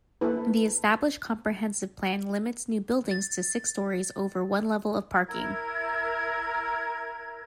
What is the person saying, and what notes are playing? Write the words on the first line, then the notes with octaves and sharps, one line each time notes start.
The established comprehensive plan limits new buildings to six-stories over one-level of parking.
A#3 E4 A4 B4
A6
E4 A#4 G#6